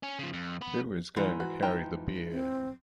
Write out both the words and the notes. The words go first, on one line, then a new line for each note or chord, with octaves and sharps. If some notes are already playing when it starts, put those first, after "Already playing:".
Who is going to carry the beer?
C#4
C#3 F3
F2
B3 B4
G#2 E3
F#4
F3 D#4 G5
C4